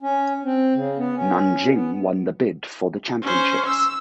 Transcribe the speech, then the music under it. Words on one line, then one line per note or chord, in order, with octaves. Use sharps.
Nanjing won the bid for the Championships.
C#4
C4
C#3
B3
C#4
B3
C#4 C5
E6